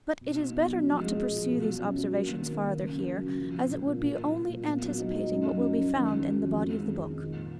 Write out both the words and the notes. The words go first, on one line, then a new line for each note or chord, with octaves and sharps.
But it is better not to pursue these observations farther here, as it would be only anticipating what will be found in the body of the book.
B2
D#4
B3
F#3
F3
G#3
A#2
F3
B2
F#3
C#4
F#3
A#3
D#3
A#3
A#3
C#3
F#2
F#3
C#3
F3
A#2
A#2
A#2
A#2
A#2
A#2
A#2
B3
F#3
D#4
D#4
F#2
F#2
F#2
F#2
D#3
D#3
F#3
F2
D#3
G#3
D#3
D#4
A#2
A#2